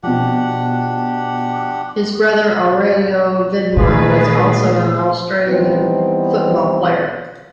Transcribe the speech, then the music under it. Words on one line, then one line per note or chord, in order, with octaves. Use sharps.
His brother Aurelio Vidmar was also an Australian football player.
B2 F3 D4 G4 F#5
A#2 D#3 A3 G#4 B4
E3 G3 B3 C4 D#4